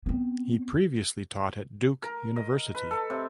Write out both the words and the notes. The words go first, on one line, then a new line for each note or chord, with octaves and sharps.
He previously taught at Duke University.
B3 C4
A#4
D#5
B4
A4
C3